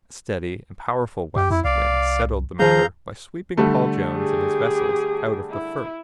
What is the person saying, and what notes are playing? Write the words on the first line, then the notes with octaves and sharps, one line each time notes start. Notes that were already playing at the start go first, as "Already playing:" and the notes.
A steady and powerful west wind settled the matter by sweeping Paul Jones and his vessels out of the Firth.
F#2 G4
F2 E4
C2 D5 F5
D#3 F3 G#4 F5 A#5 G6
D3 G3 A3
G4 G#4
E4